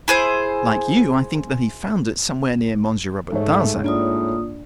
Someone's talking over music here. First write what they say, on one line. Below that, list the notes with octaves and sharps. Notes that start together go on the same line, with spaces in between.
Like you, I think that he found it somewhere near Monsieur Robert Darzac.
E4 G#4 C5
G#2 A3 G#4 C#5
A2 A#3 D4 F4 D#6